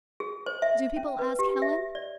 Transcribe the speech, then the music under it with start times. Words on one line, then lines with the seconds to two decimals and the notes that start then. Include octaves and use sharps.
"Do people ask Helen?"
0.20 G#4
0.46 C5
0.62 E5
0.97 C#4
1.19 B4
1.39 G4
1.62 E5
1.95 D5